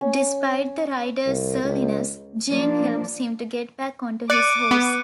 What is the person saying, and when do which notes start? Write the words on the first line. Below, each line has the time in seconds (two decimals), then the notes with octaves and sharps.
Despite the rider's surliness, Jane helps him to get back onto his horse.
0.01 C#4
1.26 C2
1.64 C#2
2.50 F3 A#3 D4 D5
4.30 D5 D6 F#6 C#7 D#7
4.71 B3